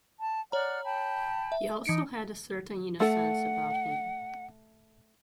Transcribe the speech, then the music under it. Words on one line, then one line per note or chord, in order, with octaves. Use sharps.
He also had a certain innocence about him.
A5
C#5 D5 F#5 A#5 F6
G5 A5 B5
E5
E3 D#4 C#7 D7
A3 A4 F#5